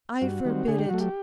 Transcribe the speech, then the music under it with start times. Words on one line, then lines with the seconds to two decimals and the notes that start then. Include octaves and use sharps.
I forbid it.
0.21 G2 F#4
0.45 D#3 G3 C4
0.68 D3 G#4
0.79 G4
0.89 F#3 A3 F#4
1.01 G4